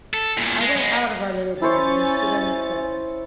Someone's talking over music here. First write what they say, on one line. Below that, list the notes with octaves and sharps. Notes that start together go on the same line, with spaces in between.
I went out of our little garden, and stood on the cliff.
A4
E2 A#2
G#3
G#3 B3
C#4 E4 C5 C#5 A6